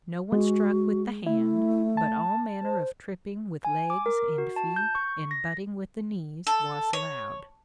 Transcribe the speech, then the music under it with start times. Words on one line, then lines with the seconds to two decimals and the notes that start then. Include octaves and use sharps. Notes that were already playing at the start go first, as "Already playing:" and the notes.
No one struck with the hand, but all manner of tripping with legs and feet and butting with the knees was allowed.
0.32 G#3 F#4
1.26 A3 E4
1.97 A5
2.63 C5
3.65 G#5
3.90 D6
4.06 A#4
4.38 F#4
4.56 A5
4.76 G6
4.95 C#6
5.31 A#6
6.47 A4
6.93 C#5